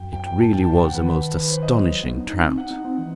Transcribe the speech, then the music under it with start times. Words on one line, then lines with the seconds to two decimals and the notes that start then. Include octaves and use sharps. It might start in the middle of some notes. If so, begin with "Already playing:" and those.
It really was a most astonishing trout.
Already playing: F#2 G5
0.13 G5
0.26 G5
0.40 A5
0.53 E2 G5
0.64 F#2 A5
0.74 G2 G5
0.84 C3 F#5
0.94 D#3 B4
1.35 B4
1.48 C5
1.63 D#5
1.76 F#3
2.03 B3
2.16 D#4
2.30 D#4
2.43 C4
2.58 D#4 F#5
2.71 D#4
2.85 C4
2.98 E3